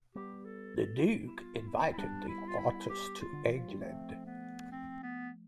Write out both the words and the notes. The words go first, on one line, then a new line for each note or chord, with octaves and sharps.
The Duke invited the artist to England.
G3 B3 G4
A4
A4
E4
F4
E4
E4
G3 B3 D4
E4
F4
E4
G4
F4
D3
E3
F4
F3
G3
F3 A3 C4
B3
C4
B3